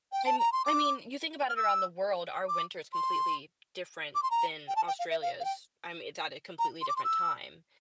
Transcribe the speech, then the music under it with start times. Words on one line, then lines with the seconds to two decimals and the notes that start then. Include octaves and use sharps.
I'm I mean, you think about it around the world, our winter is completely different than Australia's, um, it's at a completely different time,
0.12 G5
0.26 A5
0.39 A#5
0.52 C6
0.65 D6
1.49 F6
1.56 E6
2.48 D6
2.93 C6
4.15 D6
4.23 C6
4.31 A#5
4.68 G5
4.76 A5
4.88 G5
4.99 F5
5.11 E5
5.22 F5
5.40 F5
5.45 G5
6.59 A#5
6.82 C6
6.89 D6
6.97 C6
7.04 E6